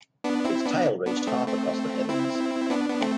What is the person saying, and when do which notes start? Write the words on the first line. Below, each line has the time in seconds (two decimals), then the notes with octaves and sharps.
Its tail reached half across the heavens.
0.24 B3 D4
0.45 C4 E4
0.66 B3 D4
1.06 B3 D4
1.27 A3 C4
1.47 A3 C4
2.09 C4 E4
2.70 B3 D4
2.90 B3
3.01 A3 C4